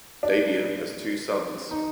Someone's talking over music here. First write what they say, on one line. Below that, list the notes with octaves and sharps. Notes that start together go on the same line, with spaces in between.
Damien has two sons.
D4
D#4